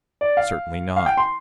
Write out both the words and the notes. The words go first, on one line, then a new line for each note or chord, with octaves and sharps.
Certainly not.
D5
F5
F5
G5
C6